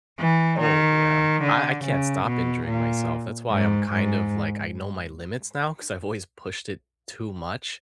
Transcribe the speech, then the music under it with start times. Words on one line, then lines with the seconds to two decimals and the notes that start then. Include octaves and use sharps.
Oh, yeah. I I can't stop injuring myself, that's why I'm kind of like, I know my limits now, 'cause I've always pushed it too much.
0.19 E3
0.61 D#3
1.44 D3
1.85 C#3
2.26 B2
2.68 A#2
3.50 G#2
3.92 G#2